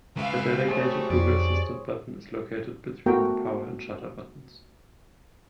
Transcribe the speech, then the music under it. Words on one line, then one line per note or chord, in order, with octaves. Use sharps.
A dedicated Google Assistant button is located between the power and shutter buttons.
G#3 C#4 B4 E5 F5
G3 A3 F#4 G#4 C5 C#5
F2 D5
A3 B3 F#4 A#4 G5 A#5